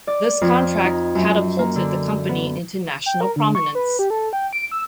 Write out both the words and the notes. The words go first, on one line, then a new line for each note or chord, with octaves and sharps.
This contract catapulted the company into national prominence.
D5
F2
D#4
F#2
A#3
D3
B3
G5
A#4
D3
C#6
B4
G4
A4
G5
D7
E6